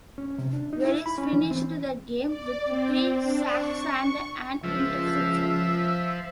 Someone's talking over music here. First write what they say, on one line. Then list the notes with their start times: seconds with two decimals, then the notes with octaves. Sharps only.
Veris finished the game with three sacks and an interception.
0.18 C#4
0.38 C3
0.53 D4
0.73 D#4
0.85 E4
1.06 B5
1.18 C#4
1.33 E3
1.51 C4
2.26 D5
2.64 C4
3.22 D4
3.55 C#6
4.64 C#2 F3 E5